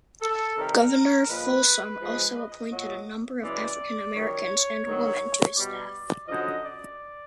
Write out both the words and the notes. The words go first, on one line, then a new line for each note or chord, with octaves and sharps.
Governor Folsom also appointed a number of African Americans and women to his staff.
A4
C3 D#3 G3 A#4
A#2 F3 G#3 B4
G#2 F3 G#3
D#5
A#2 F#3
F#2 C#3 E3 G#3 D5
F#2 D#3 G3 C#5
G2 D#3 F#3
B2 G3 D5
F#2 D3 F3 D#5
D5